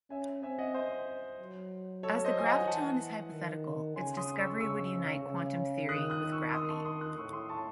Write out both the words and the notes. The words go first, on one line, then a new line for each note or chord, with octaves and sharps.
As the graviton is hypothetical, its discovery would unite quantum theory with gravity.
C#4 E5 G#5
C4 E5 G#5
D#5 F#5
C5 D#5
F#3
A4 C#5
C5 D#5
G#5
D#5 F#5
E3 F#5 A5
D#3
C#3 G#5 C6
C6 D#6
C#6 E6
C#3 C#6 E6
C#3
D#3 D#6 F#6
D#6 F#6
C#6 E6
C6 D#6
A5 C#6
C6 D#6
D#6 F#6
A2 C#6 E6
C6 D#6
A5 C#6